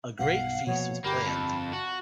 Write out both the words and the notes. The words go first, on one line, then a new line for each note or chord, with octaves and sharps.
A great feast was planned.
B1 G2 B2 F5 F#5
B2 F3 A#3 C#5
G1 A#3 G4 B5
F2 A5
F#4